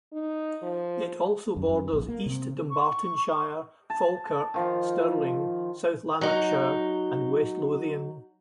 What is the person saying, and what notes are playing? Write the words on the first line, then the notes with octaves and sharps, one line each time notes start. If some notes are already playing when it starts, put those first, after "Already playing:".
It also borders East Dunbartonshire, Falkirk, Stirling, South Lanarkshire and West Lothian.
D#4
F3
F#2
F#2
A#1
A#3
C3
C#6
A5
D#3 F3
F#3 D#4